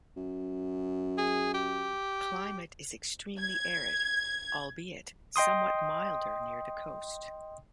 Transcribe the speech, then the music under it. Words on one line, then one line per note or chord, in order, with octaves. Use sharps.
Climate is extremely arid albeit somewhat milder near the coast.
F#2
G#4
G4
G#6
D#5 G5 C6 D#6